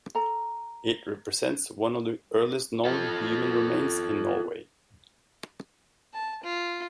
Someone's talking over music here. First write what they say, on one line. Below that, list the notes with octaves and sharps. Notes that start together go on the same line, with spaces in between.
It represents one of the earliest known human remains in Norway.
A4 A#5
F4 A4
A5
F4